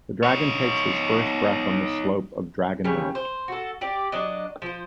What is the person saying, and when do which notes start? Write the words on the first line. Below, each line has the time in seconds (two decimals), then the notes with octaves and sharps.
The Dragon takes his first breath on the slope of Dragonmount!
0.23 D#4 C#5
2.84 C#3 G3 C#5
3.15 C5
3.48 F#4 A4
3.81 G4 D5
4.12 F#3 D4 D5 D#5
4.62 F3 C5